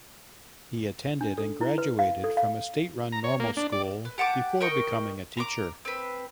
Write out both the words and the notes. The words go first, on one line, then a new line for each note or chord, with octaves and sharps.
He attended and graduated from a state-run normal school before becoming a teacher.
D4
A4
E4
B4
F5
A4
F5
A#5
C#5
A#3
D4
D5
B4
G4 F#5 A5 D6
A#4 D#5 G5 C#6
A#5 B5 D6
C4 B4